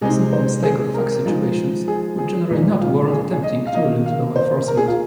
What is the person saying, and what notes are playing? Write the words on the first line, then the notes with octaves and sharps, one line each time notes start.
Simple mistake of fact situations would generally not warrant attempting to elude law enforcement.
C3 G#3 C4 D#4 G#4
C5
G#4
A#4
F3 G#3 D#4
G#4
G#4
A#2 G#3 D#4
F4
G#4
G#4
D#5
F5
D#3 A#3 D#4 D#5
F5
C5
A#4
G#4
F4